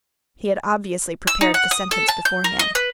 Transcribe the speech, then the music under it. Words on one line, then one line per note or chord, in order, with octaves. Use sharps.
He had obviously prepared the sentence beforehand.
E6
D#4
F#5
D#6
A4
A5
G6
A#4
D#5
B4